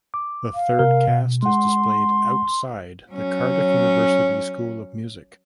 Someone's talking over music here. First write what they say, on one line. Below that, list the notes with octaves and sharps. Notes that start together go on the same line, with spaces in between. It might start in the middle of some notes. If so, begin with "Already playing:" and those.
The third cast is displayed outside the Cardiff University School of Music.
D6
F5
C3 A#4 F6
B2
G#3 F#5 C6
F#3 C#4